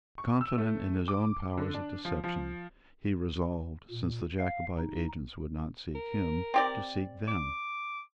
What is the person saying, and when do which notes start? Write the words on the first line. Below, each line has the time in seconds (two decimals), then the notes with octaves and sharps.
Confident in his own powers of deception, he resolved, since the Jacobite agents would not seek him, to seek them.
0.18 C#6
0.41 E6
0.58 A3
1.08 D6
1.57 D3
1.74 D4
2.05 F3
2.24 F3
3.90 A#2
4.39 F5
4.78 D#4
5.95 A#4
6.54 C4 G4 D5
7.28 D6